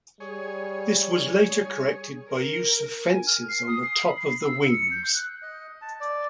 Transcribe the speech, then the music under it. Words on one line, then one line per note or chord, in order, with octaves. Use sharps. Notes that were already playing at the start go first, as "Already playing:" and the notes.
This was later corrected by use of fences on the top of the wings.
G3 G#4 C#5
A#4
G#5
F6
C7
D#6
C7
B5
C7
E6
C#7
G6
F#6
D#5
A5
D5